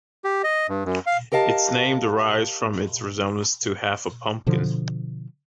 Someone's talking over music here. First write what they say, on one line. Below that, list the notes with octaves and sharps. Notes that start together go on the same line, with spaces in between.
Its name derives from its resemblance to half a pumpkin.
G4
D#5
G2
F#2
F5
G4 A#4 D#5 F5 A5
B2 D3 F3